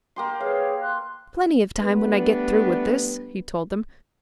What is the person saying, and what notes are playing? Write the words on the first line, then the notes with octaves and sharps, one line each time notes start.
"Plenty of time when I get through with this," he told them.
A#3 G4 C6
G#4 B4 C#5 F5
C6 F#6
G3 A3 B3 D4 B4